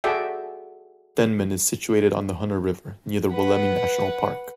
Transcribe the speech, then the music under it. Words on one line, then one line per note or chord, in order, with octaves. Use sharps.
Denman is situated on the Hunter River near the Wollemi National Park.
F#4 G#4 A4 D5 E5 G5
B4 F#5